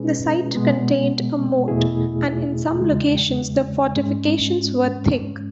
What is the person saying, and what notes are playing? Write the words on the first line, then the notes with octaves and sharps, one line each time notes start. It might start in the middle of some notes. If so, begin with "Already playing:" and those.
The site contained a moat, and in some locations the fortifications were thick.
Already playing: B2 G#3 C#4 G#4 B4
B2 G#3 B3
E2 B2 A3 E4 G#4
E2 C#3 G#3
G#2 G#3 C#4